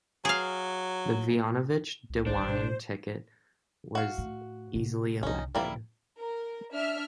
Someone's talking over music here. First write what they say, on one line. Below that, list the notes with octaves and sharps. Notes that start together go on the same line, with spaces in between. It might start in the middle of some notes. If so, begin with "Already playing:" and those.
The Voinovich-DeWine ticket was easily elected.
F#3 G#4 F5
C2
G#1 D4 C5
B2 C5
F#4 F5
A2
C3 A#3
C2 D3 C#4 D#4
C#2 G3 A#3 E4
A#4
D4 E5 F6